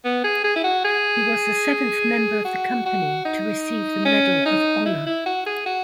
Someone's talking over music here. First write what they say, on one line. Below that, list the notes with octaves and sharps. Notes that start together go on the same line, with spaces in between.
He was the seventh member of the company to receive the Medal of Honor.
B3
G#4
G#4
E4
F#4
G#4
F#4
F#4
D#4
C#4
D#4
E4
E4
F#4
G#4
F#4